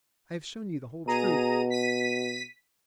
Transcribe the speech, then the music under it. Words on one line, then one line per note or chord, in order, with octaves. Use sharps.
I have shown you the whole truth!
B2 G#4 A#5 D#7
B6 D#7